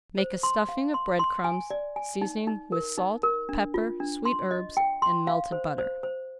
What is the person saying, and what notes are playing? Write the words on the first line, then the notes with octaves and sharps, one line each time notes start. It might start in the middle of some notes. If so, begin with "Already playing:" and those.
Make a stuffing of bread-crumbs, seasoning with salt, pepper, sweet herbs, and melted butter.
C5
C6
F5
C6
C6
G#5
D5
G#5
D#4
D#4
A#4
D#4
A#4
D4
F4
D4
C6
D#5
G5
C6
F5
C5
C5
C5